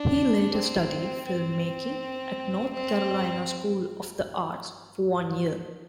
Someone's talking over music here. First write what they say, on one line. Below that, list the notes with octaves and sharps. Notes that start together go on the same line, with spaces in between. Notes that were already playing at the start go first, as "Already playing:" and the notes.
He later studied filmmaking at North Carolina School of the Arts for one year.
Already playing: D4
C4
C4
C4